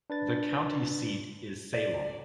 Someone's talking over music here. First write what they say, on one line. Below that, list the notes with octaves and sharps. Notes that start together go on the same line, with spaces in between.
The county seat is Salem.
D4 B4 A6
D5